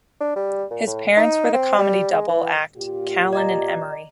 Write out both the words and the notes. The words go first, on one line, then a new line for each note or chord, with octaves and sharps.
His parents were the comedy double act Callan and Emery.
D4
G3
A#2
A2
D#4
C4
G3
G#3
E3
A#2 F4 G4
D5 D#5 A#5